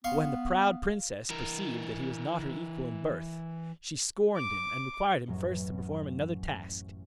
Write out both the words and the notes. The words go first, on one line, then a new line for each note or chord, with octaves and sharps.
But when the proud princess perceived that he was not her equal in birth, she scorned him, and required him first to perform another task.
B3 F5 C6 C#6
E3 A#4
D6
A1 F#2 F#3